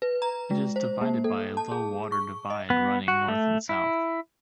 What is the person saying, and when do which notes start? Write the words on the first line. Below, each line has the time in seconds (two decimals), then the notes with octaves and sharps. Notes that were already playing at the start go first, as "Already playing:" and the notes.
It is divided by a low water divide running north and south.
0.02 B4
0.22 A#5
0.51 G#3
0.76 C5
1.01 A#3
1.24 A4
1.57 A5
1.72 G#4
2.12 C#6
2.50 D#5
2.70 B3
3.08 F#4
3.28 A3
3.69 E4